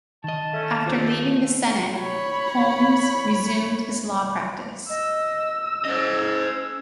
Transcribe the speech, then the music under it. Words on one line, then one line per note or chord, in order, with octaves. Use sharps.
After leaving the Senate, Holmes resumed his law practice.
D#3 D#5 A5
A3 C#4
G2 C#3 F3 A3 D4 C5
C#5 B5
D#5 E6
C#4 C5 D#5